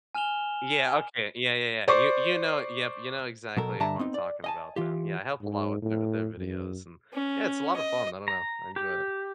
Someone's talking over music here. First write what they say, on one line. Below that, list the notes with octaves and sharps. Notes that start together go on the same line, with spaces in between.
Yeah, okay, yeah, yeah, yeah, you you know yep, you know exactly who I'm talking about, then, yeah, I helped a lot with the their videos, and yeah, it's a lotta fun, I don't know, I enjoy it.
G#5 F6 E7 F7 G7
C5 D5 C#6 D6
B2 F#3 A4 A#4
G2 D3 E5 A5 A#5
B3 C4 D#4
D5
D#5 G#5 A5
E3 F4 G4
G#2
A2
F#2
C#4
D#5
A#5
G4